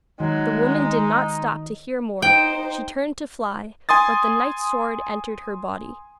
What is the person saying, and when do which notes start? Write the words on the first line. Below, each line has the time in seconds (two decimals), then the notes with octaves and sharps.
The woman did not stop to hear more; she turned to fly; but the knight's sword entered her body.
0.20 D#3 F#3 G#3
0.78 D#4
2.22 D#4 C5 G5
3.89 G#5 C6 D#6 A6